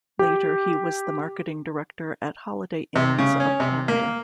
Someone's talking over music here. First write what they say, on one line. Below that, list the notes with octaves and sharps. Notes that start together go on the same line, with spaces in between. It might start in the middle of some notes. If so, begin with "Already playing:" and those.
Later, he was the Marketing Director at Holiday Inns of Canada.
G4
C3
C#3
C#4
C3
A#3